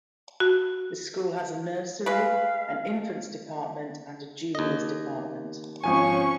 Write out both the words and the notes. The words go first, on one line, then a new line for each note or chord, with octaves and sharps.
The school has a nursery, an infants department and a juniors department.
F#4
G#3 B4 F5
D#2 D#5
G#1 F3 C#4 G#5 C#6